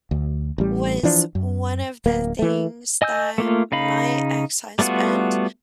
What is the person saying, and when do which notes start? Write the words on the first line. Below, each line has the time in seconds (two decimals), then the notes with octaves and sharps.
was one of the things that my ex-husband,
0.11 D2
0.58 A1 G3
1.03 E3 F3 D4
1.35 F#2
2.06 D1 A#3
2.39 E3 A3
3.02 D#5 G#5 E6 G6
3.38 A3 A#3 F4
3.72 C#3 D#4 F5 B5
4.79 G3 A3 B3 F4 F#4